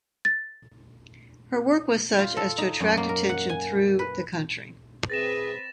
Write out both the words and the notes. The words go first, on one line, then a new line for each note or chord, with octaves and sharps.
Her work was such as to attract attention through the country.
A6
F4
A4
D#4
F#2
A#3
A#4
F#5
G#5
B4
C4 G#4 B4 E5 A6 A#6 E7